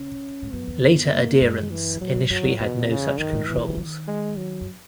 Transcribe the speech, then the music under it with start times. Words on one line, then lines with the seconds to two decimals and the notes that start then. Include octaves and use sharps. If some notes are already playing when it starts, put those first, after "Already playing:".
Later adherents initially had no such controls.
Already playing: C#3 C#4
0.42 G#2
0.52 F#2 B3
0.67 E2
0.82 F#2 B3
1.12 A#3
1.41 F#2 G#3
1.71 E3
1.94 B2
2.00 A#2 F#3
2.15 G#2
2.30 F#2 F#3
2.45 F#2
2.59 E2 B2
2.89 C#3
3.18 F#2 D#3
3.33 G#2
3.47 A#2 E3
3.57 B2
3.68 C#3
3.77 D#3
4.07 G#3
4.36 F#3
4.61 F#2